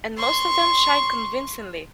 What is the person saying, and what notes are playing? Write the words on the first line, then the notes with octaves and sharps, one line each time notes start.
And most of them shine convincingly.
C6 C#6